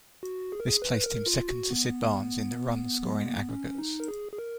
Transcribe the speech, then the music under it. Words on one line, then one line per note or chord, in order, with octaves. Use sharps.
This placed him second to Sid Barnes in the run-scoring aggregates.
F#4
G#4
A#4
G#4
B4
A#4
F4
F#4
B3
F#3
G#3
A#3
B3
C#4
D#4
A#4
G#4
G#4
A#4